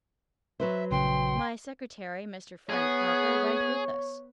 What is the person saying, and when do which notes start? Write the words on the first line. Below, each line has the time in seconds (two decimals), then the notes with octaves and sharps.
My secretary, Mr. Frank Harper, went with us.
0.60 F#3 B4 C5 E5
0.91 A#1 C#3 C#4 G5 C6
2.69 B3 G#4 C#5